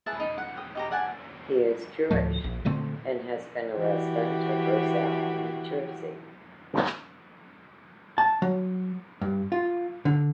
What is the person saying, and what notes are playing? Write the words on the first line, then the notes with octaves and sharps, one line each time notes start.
He is Jewish and has been a resident of Roselle, New Jersey.
E4 G#4 B4 A5
D#4
F#5
G5 D#6
D#4 G4 A#5
D5 F#5 G#5 A5
D2 A2 F3 A3
A#1
A#2 D3 A3 C4
E3 F#4 G4
A5
F#3
G2
F4
D3